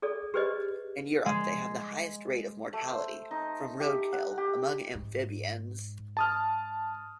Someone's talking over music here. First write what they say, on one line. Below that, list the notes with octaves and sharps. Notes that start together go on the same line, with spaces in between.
In Europe they have the highest rate of mortality from roadkill among amphibians.
G#4 A4 D5
G4 G#4 B4 C5 D5 D#5
G#3
A3
C5
D#4
G4
F#5
G4
G#2
A5 D#6 F6